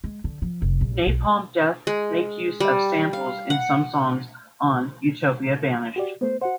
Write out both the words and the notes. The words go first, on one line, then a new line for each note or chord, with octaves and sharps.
Napalm Death make use of samples in some songs on "Utopia Banished".
G#3
D3
F3
F1
A#1
B1
G#3
G3
F5
F#5
F#4 G4 D5
A3 B3 C5
F#4 C5 F#5